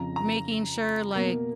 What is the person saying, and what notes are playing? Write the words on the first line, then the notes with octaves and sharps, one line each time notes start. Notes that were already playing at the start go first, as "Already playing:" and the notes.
making sure, like,
Already playing: F2 C#3 F3 A#5
A#5
B2 A#3